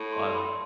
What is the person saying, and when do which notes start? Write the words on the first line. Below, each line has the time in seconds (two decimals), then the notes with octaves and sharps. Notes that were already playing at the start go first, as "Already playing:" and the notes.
a lotta hair.
Already playing: A2
0.12 C6
0.29 A5
0.34 B5